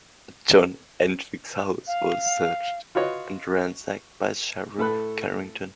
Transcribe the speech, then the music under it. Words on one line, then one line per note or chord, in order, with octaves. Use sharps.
John Entick's house was searched and ransacked by Sherriff Carrington.
F5
F4 F#4 B4 C#5 D#5
A2 A3 A4 B5 F#6